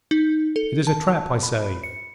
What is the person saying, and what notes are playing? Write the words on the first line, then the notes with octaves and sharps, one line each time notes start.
It is a trap, I say.
D#4
A4
A5
B5
C#7